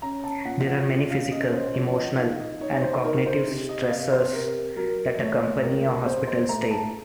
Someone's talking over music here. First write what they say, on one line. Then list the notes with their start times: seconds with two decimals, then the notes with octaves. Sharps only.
There are many physical, emotional, and cognitive stressors that accompany a hospital stay.
0.02 C#4 A#5
0.24 A5
0.45 A#2 F#5
0.67 F#5
0.89 C#4
1.10 F5
1.32 C#4 D#5
1.44 C#5
1.53 C5
1.74 F3 C#5
1.96 D#5
2.18 D#4 F5
2.40 D#5
2.61 D#4 C#5
2.82 C5
3.04 D#4 A#4
3.26 C5
3.47 C3
3.69 D#5
3.84 D#5
3.90 C3 F5
4.12 C5
4.33 C3 A#4
4.76 F#3 A#4
5.20 A3 C#5
5.63 C#2 A#4
6.06 C3 C5
6.27 C5
6.49 A3 A#5
6.71 A5